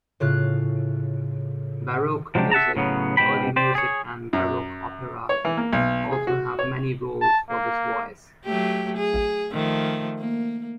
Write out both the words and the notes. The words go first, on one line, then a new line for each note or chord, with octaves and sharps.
Baroque music, early music and baroque opera also have many roles for this voice.
A2 C#3 F4 F#6
F3 F#3 G#3 D4 G4
E5 F#5 A5 A#5
A2 C#3 F#3 B3
G#2 B2 F#3 G4 G5 B5
G4 C5 D5
G#4 C#5
F#2
C#5
E3
A#3
B1
G#4
F#4
C#5
A5
A#3
F#3 A3 G4
G#4
D#3 F3 A3
A#3